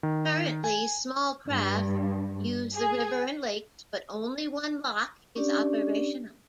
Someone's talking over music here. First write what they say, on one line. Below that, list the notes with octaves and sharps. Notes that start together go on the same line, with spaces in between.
Currently small craft use the river and lakes, but only one lock is operational.
D#3
G#5
G2
G#4
C#4 D4 G4 D5